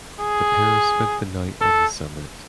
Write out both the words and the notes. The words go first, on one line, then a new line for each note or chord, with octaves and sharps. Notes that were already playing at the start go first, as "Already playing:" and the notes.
The pair spent the night on the summit.
G#4
A4